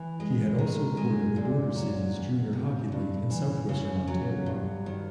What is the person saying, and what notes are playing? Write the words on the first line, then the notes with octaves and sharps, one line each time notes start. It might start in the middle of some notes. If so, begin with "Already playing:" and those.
He had also courted the Border Cities Junior Hockey League in Southwestern Ontario.
Already playing: E3
G#3
D#3
G#3
A#2
F#3
E2
C3
G2
E3
C#3
F#3
G2
D#3